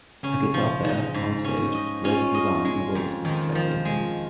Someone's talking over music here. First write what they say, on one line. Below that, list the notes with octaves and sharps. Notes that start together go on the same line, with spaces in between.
A guitar player, on stage, raises his arm and waves to the spectators.
C#3 C#4
F3
F3 D#4
G#2
C#4
D#5
C#4 F4
D#5
G#3
F2
F2 D#3
F3
G#3